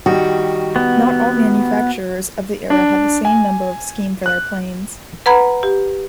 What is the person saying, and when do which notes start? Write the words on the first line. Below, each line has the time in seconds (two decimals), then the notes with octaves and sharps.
Not all manufacturers of the era had the same number scheme for their planes.
0.06 D#3 G3 F#4
0.76 B3
2.70 D4
3.25 G#5
4.26 F#6
5.26 B4 F#5 A#5 B5 G#6
5.63 G4